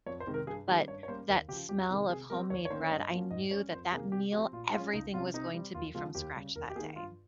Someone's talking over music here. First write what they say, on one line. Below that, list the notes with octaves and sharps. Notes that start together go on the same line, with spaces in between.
but that smell of homemade bread, I knew that that meal, everything was going to be from scratch that day.
F2 C#5
C5
C3 D#3 G#3 C4
A#4
G2 G#4
D#3 G3 A#3 C#4 G4
G2 C#5
C#5
G3 A#3 C#4 C5
D#2 A#4
C#3 F3 G4
F2 G4
C3 D#3 G#3
C3 G#4
G3 C4 A#4
D#2 C#5
C#5
D#3 A#3 C#4 C5
C#5
G2 D#5
F3 A#3 C#4
G#2 D#5
G3 C#4 C#5
F2 C5
C3 D#3 A#3 G#4
C3 G4
F3 C4 G4
A#2 F4
G#3 C#4 F4
C#2 D#4
C3 G3 C#4 F4
C3 D#4
G3 C4
D#2 F4
C#3 F3 G#3 F4
D#2 G4
C#3 G3 C#4
D#2 A#4
G4
D#3 A#3 G#4
G2 F4